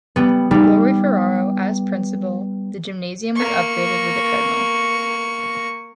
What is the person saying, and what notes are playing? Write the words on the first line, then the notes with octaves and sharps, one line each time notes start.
Lawrie Ferrao, as principal, the gymnasium was upgraded with a treadmill.
G3 B3
G3 D#4
A#3 C#6